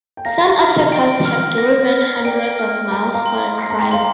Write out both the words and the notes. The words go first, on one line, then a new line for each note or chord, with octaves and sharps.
Some attackers had driven hundreds of miles for the crime.
G5
F5 A#5 A#6
F6
D5 G5 D7
F6
A#6
F6
A#5
D5 G5 D7
F6
A#5 F6
G5
F5 A#5
C6
A#6
A#5
G5
F5 A#5 C6